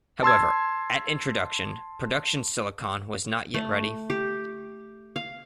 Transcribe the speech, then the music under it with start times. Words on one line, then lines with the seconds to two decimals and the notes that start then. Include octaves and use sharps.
However, at introduction, production silicon was not yet ready.
0.23 A5 C6 E6 G#6
3.54 A3
4.10 G4
5.16 F5